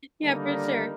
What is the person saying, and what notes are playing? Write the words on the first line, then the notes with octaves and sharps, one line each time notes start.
yeah, for sure.
D3 D#3 G3 A#3 D#4